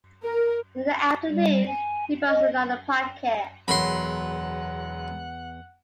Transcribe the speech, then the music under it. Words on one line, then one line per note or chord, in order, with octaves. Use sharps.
In the afternoon he brought another packet.
A#4
G3
G#5
D#5
E1 E2 F#3 A#4 F#5 B5 C6